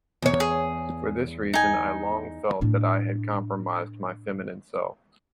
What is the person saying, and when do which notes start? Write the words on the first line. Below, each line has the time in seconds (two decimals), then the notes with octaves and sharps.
For this reason I long felt that I had compromised my feminine self.
0.22 E2 C#5
0.40 G#4
1.54 D#4 G#5
2.61 A2 D4